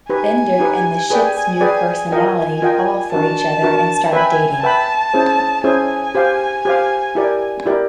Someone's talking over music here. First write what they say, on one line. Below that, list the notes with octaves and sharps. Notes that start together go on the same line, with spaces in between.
Bender and the ship's new personality fall for each other and start dating.
D#4 G4 B4 G#5
D#4 G4 B4
G#4 B4 D5 G5 G#5
G#4 B4 D5 G5
F4 A#4 D#5 G5 G#5
F4 A#4 D#5 G5
D4 F#4 A#4 A5
D4 F#4 A#4
B4 E5 G5 G#5 B5
B4 E5 G5 A5 B5
C#4 E4 G#4 C5
C#4 E4 G#4 C5 G#5
G4 C5 F5
G4 C5 F5
E4 G4 A#4 D5
E4 G4 A#4 D5